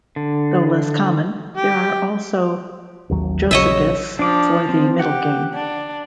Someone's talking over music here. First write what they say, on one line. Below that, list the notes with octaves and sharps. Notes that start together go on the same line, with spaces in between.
Though less common, there are also "josekis" for the middle game.
D3
G4
A1 D#2 F#3
A#1 C#3 F#3 C#5 D#5 E5
F3 D4 D6
C4
G4 F#5
D4